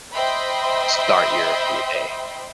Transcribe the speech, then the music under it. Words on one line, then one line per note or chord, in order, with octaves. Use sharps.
start your your day.
C5 D#5 E5 G5 B5 C6